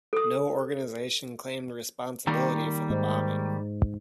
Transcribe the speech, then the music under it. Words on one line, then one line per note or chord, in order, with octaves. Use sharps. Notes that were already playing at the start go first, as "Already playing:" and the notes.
No organization claimed responsibility for the bombing.
A4 D#6
D#3 G3 A#3
G#2